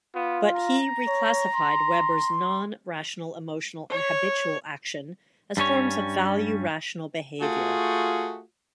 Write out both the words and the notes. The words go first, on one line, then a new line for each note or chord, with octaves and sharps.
But he reclassified Weber's non-rational emotional and habitual action as forms of value-rational behavior.
B3 F4
A#5
C#5
C6
C#5
G2 G3 C#4 C#5
A3 F4 F#4 G#4